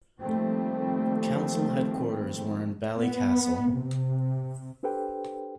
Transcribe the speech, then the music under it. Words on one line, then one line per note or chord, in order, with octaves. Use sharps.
Council headquarters were in Ballycastle.
D#3 F3 G3 A3 A#3 C4
B3
C3
D4 G4 A4 B4 C5 G5